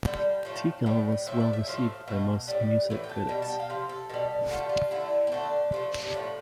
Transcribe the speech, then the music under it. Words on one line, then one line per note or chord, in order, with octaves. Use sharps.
"Tical" was well received by most music critics.
D3 G3 G5
A2 F3 A3
A2 G3
A2 F3 A3 E5
D5
E5
A2 F3 A3 F5
B2 A3
A2 G3
A2 E3
G5
A5
B2 G3 G5
A5
G5
F5
C3 F3
A4
B2 G3 A4
D3 A3 F4
G4
F4
D3 A3 E4
C4
D3 A3 D4
C3 F3 A3
D4
A2 F3 A3 C4